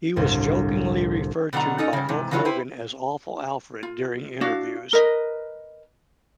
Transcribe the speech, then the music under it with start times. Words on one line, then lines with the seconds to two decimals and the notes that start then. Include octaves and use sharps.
He was jokingly referred to by Hulk Hogan as "Awful Alfred" during interviews.
0.16 G1 C2 A2
1.53 B2 D3 F#3 F#5 A#5
1.78 C#4 D#4 A4 D#5
1.93 C#3 G3
2.08 G#2 C3 E3
2.31 C#3 E3 F#3 F4 C#5
2.45 E4 G4 B4 C5
3.83 F4
4.41 D4 E4 F#4 F5
4.93 A#4 B4 D#5